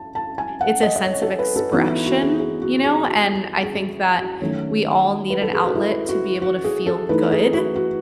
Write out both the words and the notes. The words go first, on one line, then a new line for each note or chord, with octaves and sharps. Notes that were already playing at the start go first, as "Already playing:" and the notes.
it's a sense of expression, you know? And I think that we all need an outlet to be able to feel good,
Already playing: A5
A5
G#5
F#5
D#5
D#5
C#5
A4
B4
A4
E3 B3 D#4 F#4
E4
F#4
G#4
G#4
F#4
G#4
F#4
G#4
F#4
F#4
D#3 F#3 A3 C#4
B4
A4
G#4
F#4
E4
F#4
F#4
G#4
A4
E3 A3 D#4 B4
G#4
F#4
F#4